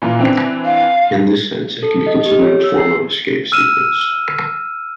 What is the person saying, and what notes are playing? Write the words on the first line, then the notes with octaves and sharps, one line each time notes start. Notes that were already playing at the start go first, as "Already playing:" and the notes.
In this sense, it can be considered a form of escape sequence.
A#2 E3 F4
E3 C4 D4
F5
A4
D#5
G4
C#5
E6
C7
E6 F6 D#7 E7